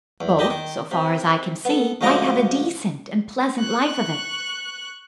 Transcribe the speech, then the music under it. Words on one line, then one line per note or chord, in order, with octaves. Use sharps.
Both, so far as I can see, might have a decent and pleasant life of it.
E2
D4 G4 D#5
D#3
C3
B3 A4
D2 G#2 F3 D#5 A#5 D6
C#6 F#6